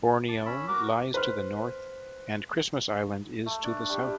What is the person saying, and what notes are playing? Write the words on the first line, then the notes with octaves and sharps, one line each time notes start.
Borneo lies to the north and Christmas Island is to the south.
A5 D6
C#4 B5 E6
F#4 A#4 D6
B4 C5 C6 F6
A3
D4
G3
G3